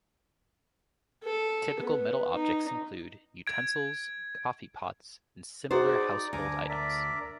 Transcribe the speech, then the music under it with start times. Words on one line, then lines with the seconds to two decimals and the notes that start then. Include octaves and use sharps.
Typical metal objects include utensils, coffee pots, and similar household items.
1.24 A4
1.80 B3
2.34 D#4
3.47 G#6 D7
5.71 D#4 F#4 G#4 C5 D5
6.33 D2 G#5 A#5 D6
6.69 A#4 D5 E5